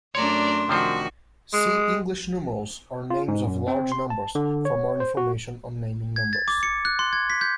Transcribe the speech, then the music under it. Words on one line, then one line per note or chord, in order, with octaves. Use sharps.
See English numerals or names of large numbers for more information on naming numbers.
F#2 A3 D4 C#5 D5 A5 A#5 C6
C3 D#3 F3 F#4 C5
G#3
F4
G#2
F#2
C4
C6
A5
D3
C#5
C5
F#4
G#6
A6
D6
C#7
F#6
C6
G#6
B6
G6